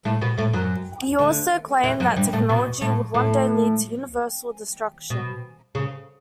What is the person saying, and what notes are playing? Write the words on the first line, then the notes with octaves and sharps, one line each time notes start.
He also claimed that technology would one day lead to universal destruction.
A2 A3
B2 B3
A2 A3
F#2 F#3
D2 D3
E2 E3
F#2 F#3
G2 G3
A2 A3
B2 B3
A2 A3
A2 A3
B2
C#3